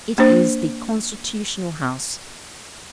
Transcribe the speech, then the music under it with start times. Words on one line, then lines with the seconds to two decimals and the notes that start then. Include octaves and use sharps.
It is the constitutional House.
0.18 A#3 D4 C5